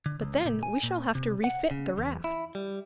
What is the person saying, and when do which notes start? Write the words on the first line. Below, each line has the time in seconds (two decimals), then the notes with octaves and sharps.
"But then we shall have to refit the raft."
0.06 D3
0.21 C#2
0.45 A#2
0.63 G#5
0.83 A#2
1.15 C3
1.44 F#5
1.71 C#3
1.98 E2
2.24 E4
2.55 G3